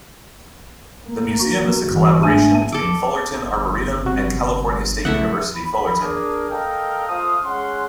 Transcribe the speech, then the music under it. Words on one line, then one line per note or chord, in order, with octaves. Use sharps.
The museum is a collaboration between Fullerton Arboretum and California State University Fullerton.
A#3
F#4
G1 E3
G#2 A3 D4 G#5
A4 D6
G1
C3 F#4
B1 C#3 A3 E4 E5 F#5
B5
D4 G#4 A#4
A4 A#4 D#5 F5 G5 A#5
A3 F4 C5 F5 D#6
G#3 C#4 F#5 C6